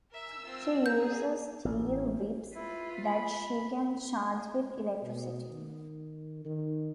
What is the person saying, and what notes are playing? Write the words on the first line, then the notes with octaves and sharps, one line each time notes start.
She uses steel whips that she can charge with electricity.
A#4 E5 E6
C4 F4
G#4 A#4 B4 A#5 G6
A1
E4 F4 B4
B5
B2
D#3
D#3